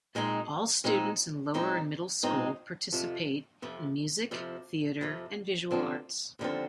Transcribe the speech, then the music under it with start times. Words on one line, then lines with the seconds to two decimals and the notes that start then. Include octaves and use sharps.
All students in lower and middle school participate in music, theater, and visual arts.
0.15 A#2 G#3 C4 D#4
0.84 A#2 G#3 C4 D#4
1.54 A#2 G#3 C4 D#4
2.23 A#2 G#3 C4 D#4
2.92 F2 C3 F3
3.62 F2 C3 F3
4.31 F2 C3 F3
5.01 F2 C3 F3
5.71 D#2 D3 F3 C4
6.39 D#2 D3 F3 C4